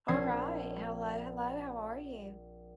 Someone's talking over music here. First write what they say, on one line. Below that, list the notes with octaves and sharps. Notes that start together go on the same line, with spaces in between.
Alright, hello, hello, how are you?
A#1 F3 C4 G#6 C7